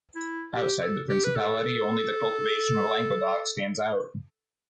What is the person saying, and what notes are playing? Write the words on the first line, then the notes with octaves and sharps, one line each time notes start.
Outside the Principality, only the cultivation in Languedoc stands out.
E4
G4
A4
G4
B4
A4